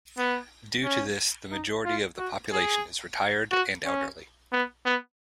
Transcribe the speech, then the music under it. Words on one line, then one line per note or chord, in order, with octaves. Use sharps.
Due to this the majority of the population is retired and elderly.
B3
C#4
D#4
F4
F#4
G#4
F#4
C#4
B3
B3